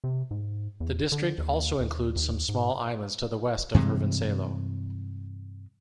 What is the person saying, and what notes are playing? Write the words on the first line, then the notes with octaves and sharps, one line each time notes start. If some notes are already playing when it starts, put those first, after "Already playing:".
The district also includes some small islands to the west of Hirvensalo.
C3
G#2
E2
D3
D#2
D#2
D#2
G#2
G2 C3 E3 G#3